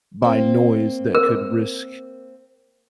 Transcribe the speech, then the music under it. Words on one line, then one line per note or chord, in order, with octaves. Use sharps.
by noise that could risk
A#3 C4
A#4